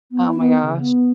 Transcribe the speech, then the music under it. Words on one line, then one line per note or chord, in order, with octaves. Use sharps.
Oh my gosh.
B3
E4
B3
C#3
B3